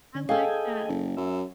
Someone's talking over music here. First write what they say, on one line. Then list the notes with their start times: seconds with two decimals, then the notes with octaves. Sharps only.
I like that.
0.15 D3
0.29 G#4 A4 D#5 F5 G5 G#5
0.88 F#1
1.17 F#2 E5